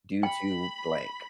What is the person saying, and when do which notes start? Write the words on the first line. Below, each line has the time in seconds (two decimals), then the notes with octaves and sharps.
due to blank."
0.23 G5 B5